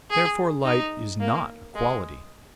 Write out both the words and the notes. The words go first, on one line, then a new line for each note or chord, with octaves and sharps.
Therefore light is not a quality.
G#4
D#4
A#3
G#3